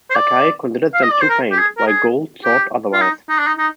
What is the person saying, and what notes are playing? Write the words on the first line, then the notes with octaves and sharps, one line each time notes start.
Lacaille considered them too faint, while Gould thought otherwise.
C5
D5
F5
D#5
D5
C5
A#4
G4
G#4
A#4
G#4
G4
F4
D#4
D#4
D4
D#4
D#4